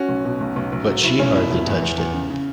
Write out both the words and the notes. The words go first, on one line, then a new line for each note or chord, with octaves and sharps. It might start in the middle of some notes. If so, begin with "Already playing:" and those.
But she hardly touched it.
Already playing: C#4 F#4
B1
B2
B1
B1
B1
F#3
B1 E4
B1 C#4
B2 E4
E1 E4
E2
E2
E2
C#3
C#3